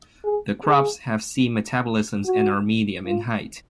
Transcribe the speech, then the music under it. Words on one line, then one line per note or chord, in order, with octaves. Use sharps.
The crops have C metabolisms and are medium in height.
G#4
G#4
F#4
F4